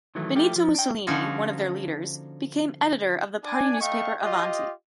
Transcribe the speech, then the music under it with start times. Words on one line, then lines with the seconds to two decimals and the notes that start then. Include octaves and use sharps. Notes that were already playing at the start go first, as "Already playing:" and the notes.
Benito Mussolini, one of their leaders, became editor of the party newspaper Avanti!
0.15 D#3 E3 F#3 A3
0.35 F3 A3 G4
0.56 F3
0.75 D4 G5
1.07 D3 F3 A#3 C#4 D#4 F#4
3.44 D4 D5 G#5
3.80 A3 D#5 F5 G5 C#6
4.21 F4 G4 D#5